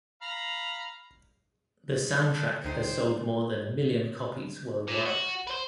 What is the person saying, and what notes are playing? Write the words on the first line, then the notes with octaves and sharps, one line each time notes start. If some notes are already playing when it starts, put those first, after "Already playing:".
The soundtrack has sold more than a million copies worldwide.
F5 A#5 B5
A4
D2 D#4 C5 G5 D#7
A#2
F#4
B4 C5